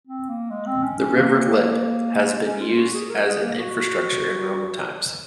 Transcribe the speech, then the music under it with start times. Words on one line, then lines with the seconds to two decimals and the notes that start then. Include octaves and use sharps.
The river Lippe has been used as an infrastructure in Roman times.
0.07 C4
0.29 A#3
0.50 G#3
0.67 C4
0.83 C#4
0.99 C#4
1.16 A#3
2.45 C#4
2.61 F4
2.78 F#4
2.94 G#4
3.10 A#4
3.26 G#4
3.42 A#3
3.58 F#4